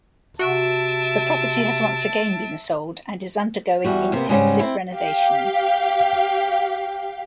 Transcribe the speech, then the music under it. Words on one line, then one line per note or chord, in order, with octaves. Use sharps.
The property has once again been sold and is undergoing intensive renovations.
C3 F#4 E5 A5 D7
E2 G3 F#4
C3 A#3 B3
G#2 C#3 G3 G#3
C4 E4
G4 F5